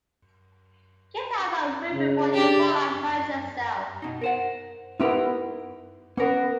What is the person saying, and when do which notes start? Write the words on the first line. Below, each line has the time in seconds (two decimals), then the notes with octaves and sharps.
Get down off the roof before you fall and hurt yourself.
1.94 C#3
2.33 D4 G4
4.02 B2 D#4
4.21 A#4 C5 F#5
5.00 B3 D#4 E4 G4 A#4
6.17 B3 C#4 A#4